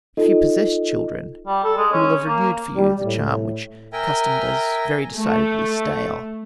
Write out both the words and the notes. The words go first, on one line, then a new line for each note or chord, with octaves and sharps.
If you possess children, he will have renewed for you the charm which custom does very decidedly stale.
D#4 F4 A4 D#5
G3
A4
G#3
C#4
A#3
G3
A2
A#4 E5 G5 G#5 A#5
A3